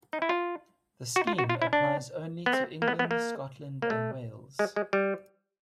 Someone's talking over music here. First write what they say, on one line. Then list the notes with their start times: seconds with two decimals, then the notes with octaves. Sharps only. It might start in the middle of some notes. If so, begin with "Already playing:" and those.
The scheme applies only to England, Scotland and Wales.
0.13 D#4
0.22 E4
0.29 F4
1.16 F#4
1.27 F4
1.38 F#4
1.49 F4
1.62 E4
1.73 D4
2.46 B3
2.53 C4
2.82 A#3
2.88 B3
2.99 B3
3.11 A#3
3.82 A#3
3.90 A3
4.59 G#3
4.76 G#3
4.93 G3